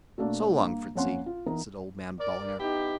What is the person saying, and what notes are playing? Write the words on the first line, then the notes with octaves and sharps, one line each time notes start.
"So long, Fritzy," said old man Ballinger.
B2 A3 A#3 D4 F#4
G2 A#3
F2 A#3 C#4 F#5 C6
F4
E3 B3 D#4 A#4
A#4 D5
B3 D#4 E4 G4